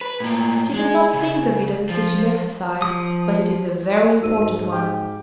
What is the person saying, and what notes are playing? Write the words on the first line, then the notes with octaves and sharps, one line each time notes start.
She does not think of it as a teaching exercise, but it is a very important one.
B4
A2 A#3
G#3 G#4
C#3
F3
F3 D#6
G#2 F#4 E6 D#7
G4